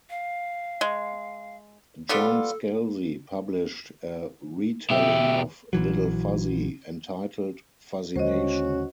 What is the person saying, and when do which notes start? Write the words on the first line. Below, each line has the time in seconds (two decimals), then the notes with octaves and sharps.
John Scalzi published a re-telling of "Little Fuzzy", entitled "Fuzzy Nation".
0.10 F5
0.81 G#3
2.09 G3 B3 F4 A4
4.90 B2 G4 E5
5.73 A#1 E3 F#3
8.16 D#2 D3 G#3 C#4 F#4 C5 D#5